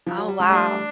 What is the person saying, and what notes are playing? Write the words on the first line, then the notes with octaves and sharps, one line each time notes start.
Oh, wow.
F3
F#3
G3
G#3
G3 A3 D4